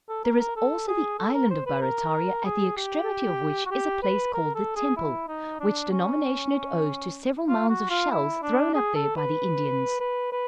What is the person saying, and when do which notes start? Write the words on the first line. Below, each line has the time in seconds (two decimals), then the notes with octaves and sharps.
There is also the island of Barrataria, at the extremity of which is a place called the Temple, which denomination it owes to several mounds of shells thrown up there by the Indians.
0.09 A4
0.24 A#4
0.40 A#4
0.56 A4
0.87 G#4
1.19 A4
1.34 A#4
1.50 C5
1.66 B4
1.81 A#4
2.45 G#4
2.77 G4
3.65 F#4
3.71 G4
4.02 B4
4.34 A#4
4.55 A4
4.76 G#4
4.97 E4
5.28 D#4
5.59 D4
5.91 C#4
7.48 F4
7.69 F#4
7.90 F4
8.11 E4
8.42 D4
8.74 G#4
8.95 A4
9.16 B4
10.00 B4
10.32 B4